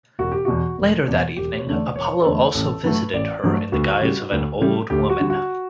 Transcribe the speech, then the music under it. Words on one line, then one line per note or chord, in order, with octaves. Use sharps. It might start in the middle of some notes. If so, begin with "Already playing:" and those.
Later that evening Apollo also visited her in the guise of an old woman.
E1 F#4
G4
E2 B2 F#4
E1
E2 B2
E1 G4
C#5
E2 D3 A3
D5
E1 C#5
A4
E2 D3 A3 B4
A1 A4
G2 F#3 A3 B4
A1 D5
G2 F#3 A3
D2 F#4
C#3 G3
D2
C#3 G3
D2 G4
F#4
D3 G3
F#4